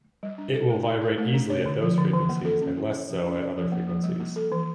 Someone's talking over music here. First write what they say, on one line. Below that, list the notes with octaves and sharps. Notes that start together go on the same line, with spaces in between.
It will vibrate easily at those frequencies, and less so at other frequencies.
G3
D4
A4
A3
E4
A#4
A3
D4
C#5
D3
F3
D3
E3
A#3
A4
C#4
E4
C#5
F3
C#4
D5
F3
A#3
F3
G3
A#3
A4
E3